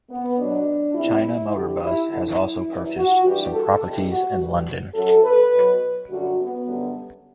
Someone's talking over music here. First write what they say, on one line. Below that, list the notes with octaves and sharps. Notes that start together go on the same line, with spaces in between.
China Motor Bus has also purchased some properties in London.
B3
B2 F#3 D4
E2 C3 G3 E4
E2 D3 G3 G4
E4
G2 D3 F#3 E4
F#2 E3 G3
F#4
G2 E3 G3 G4
A4
E2 B2 G3 G4
F#4
G2 D3 G3
F#2 F#3 A4
B4
B2 F#3
F#2 D3 G3 F#4
B3
F#2 D3 G3